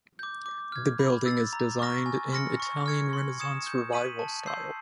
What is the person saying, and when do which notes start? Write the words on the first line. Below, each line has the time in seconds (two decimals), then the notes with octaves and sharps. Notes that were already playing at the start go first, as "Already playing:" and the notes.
The building is designed in Italian Renaissance Revival style.
0.19 D6 G6
0.46 D6
0.72 F6 G#6
0.99 B5
1.26 E6 A6
1.53 A#5
1.79 C#6 F6 A#6
2.06 G#5
2.32 C6 F6 A#6 C#7
2.60 C#6
2.86 F6 G#6 C#7
3.13 C6
3.40 D#6 G#6 C#7 E7
3.66 G6
3.92 B6 D#7 F#7
4.19 A5
4.46 C6 E6 G6 C7